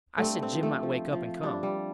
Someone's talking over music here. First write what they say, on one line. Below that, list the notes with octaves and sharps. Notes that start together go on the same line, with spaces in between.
I said Jim might wake up and come.
G2 A3 C4
C4
F3
A3
F3
F3
G2 D4
G3